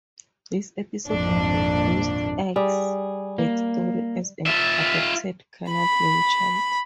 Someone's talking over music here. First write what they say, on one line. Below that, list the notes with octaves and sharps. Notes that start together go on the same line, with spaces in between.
This episode introduced Ike's backstory as an adopted Canadian child.
G#1 F2 A#2 D4
G3 G#4
A#3
F4 E5
B5